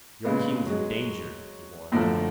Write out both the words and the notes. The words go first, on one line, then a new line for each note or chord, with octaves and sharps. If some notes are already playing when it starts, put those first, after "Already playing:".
"Your king's in danger," he warned.
A#2 C#3 G#3 B3
F#3 G#3
F#2 A2 D3 F3